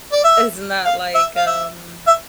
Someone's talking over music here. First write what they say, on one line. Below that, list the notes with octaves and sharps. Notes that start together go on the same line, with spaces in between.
it's not like, um,
D5
E5
F5
E5
F5
E5
E5